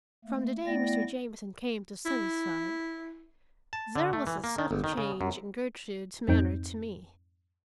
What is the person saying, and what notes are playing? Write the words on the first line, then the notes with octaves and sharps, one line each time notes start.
From the day Mr. Jamieson came to Sunnyside there was a subtle change in Gertrude's manner to me.
A3 A#3
A3 B3 E4 D5 G5 A#6
E4
A5
D3
A3
E3
A#3
D#3
G1
D#3
C#3
F#2
F2 G#2 C4 D#4 G6 D7